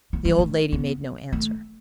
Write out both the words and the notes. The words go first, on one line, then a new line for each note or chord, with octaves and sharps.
The old lady made no answer.
A3
G3
A3
B3
A3